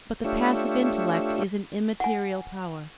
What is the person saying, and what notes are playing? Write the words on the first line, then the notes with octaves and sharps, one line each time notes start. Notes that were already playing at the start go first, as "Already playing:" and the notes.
But the passive intellect is an immaterial power.
A3 D4 F4 G4 C#5 E5
F#5 G#5